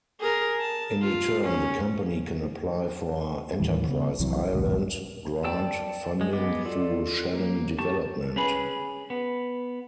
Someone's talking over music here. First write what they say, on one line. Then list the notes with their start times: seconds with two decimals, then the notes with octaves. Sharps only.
In return the company can apply for Enterprise Ireland grant funding through Shannon Development.
0.20 G#4 A#4
0.60 A5
1.02 F4
1.45 C#4
3.59 D#2 A2 E3 G3
3.88 C#3 B3
4.20 C2 C3 E3 F#3
4.54 A#1 D#2 G#2 B2
5.44 D5 G5 A5 E6
6.21 G#3
6.33 G#3 B3 D#5 D6
6.66 F4 A4 D5
7.33 A#3
7.78 G4 A5 C#6
8.36 C#4 G#4 B4
9.10 B3